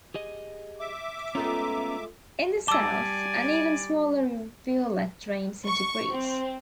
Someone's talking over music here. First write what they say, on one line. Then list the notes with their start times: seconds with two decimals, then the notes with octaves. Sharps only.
In the south, an even smaller rivulet drains into Greece.
0.14 G4 G#4 D#5
0.80 E5 D6
1.35 G#3 A3 B3 C#4 F4 A#5
2.68 G3 D5 G#5 A5 D6 E6
5.67 C#6
6.09 C4